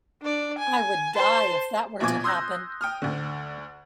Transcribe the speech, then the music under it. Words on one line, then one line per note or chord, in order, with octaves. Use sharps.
I would die if that were to happen.
D4 D5
G#5
C5 A5
A#1 B2 F3 G#5 D6 G#6
C6 D#6 E6 F#6 G6 A#6
G5 D#6 F6
D2 D3